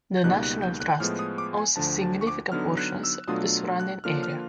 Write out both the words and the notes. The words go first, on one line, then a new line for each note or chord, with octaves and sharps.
The National Trust owns significant portions of the surrounding area.
G6
C#2 B2 G3 A#3 D#4 F#6
F#6
G6
F#6
A2 F3 G#3 B3 F6
D#6
D6
G#5
D2 D3 F3 A5
A5
C#6
D6
D3 F#3 B3 D#4 F6
F#6
E6
B2 F#3 A3 D4 F4 D#6
F#6
D3 F3 A#3 D4 F4 F6
F6